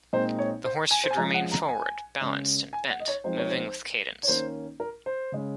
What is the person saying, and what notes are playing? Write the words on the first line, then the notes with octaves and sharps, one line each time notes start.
The horse should remain forward, balanced, and bent, moving with cadence.
A#2 G#3 C4 D#4 C5
C#5
C5
G#5
C5
G#5
F3 G#3 C#4 A#5
F#5
A#5
G#5
C#3 G#3 C#4
G#5
F#5
D#5
C#5
F3 G#3 C4 D#4 C5
C#5
C5
C#5
D#3 A#3 C#4 C5
A#4
C5
C#3 G#3 C#4